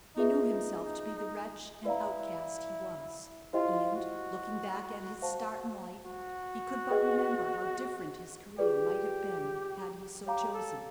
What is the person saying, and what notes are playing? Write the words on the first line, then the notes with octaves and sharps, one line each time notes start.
He knew himself to be the wretch and outcast he was; and, looking back at his start in life, he could but remember how different his career might have been had he so chosen.
D#4 F4 G#4 B4 E5
E4 B4 D5 F5 A#5
E4 F4 G4 C5 D#5 G5
F#4
C5 F5 A5
F#4
G#4 B4 D#5 G5
F4 G4 G#4 B4 D5
G4 C#5 F5 A#5 D6
A4